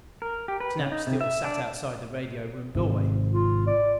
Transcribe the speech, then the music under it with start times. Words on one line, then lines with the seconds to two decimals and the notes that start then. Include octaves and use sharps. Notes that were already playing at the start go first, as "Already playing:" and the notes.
Snap still sat outside the radio room doorway.
0.22 A#4
0.48 G4
0.60 B4
0.79 C#3
0.92 D#4
1.07 C3
1.21 E5
1.44 D4
2.75 G#1 G#2 C3
3.34 F4
3.67 D5